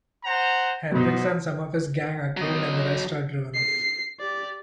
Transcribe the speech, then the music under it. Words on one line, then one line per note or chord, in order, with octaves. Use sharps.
Hendricks and some of his gang are killed, and the rest are driven off.
C5 F#5 A#5
B2 F#3 B3 D#4 C5
F#3 D#5
C7
G4 D5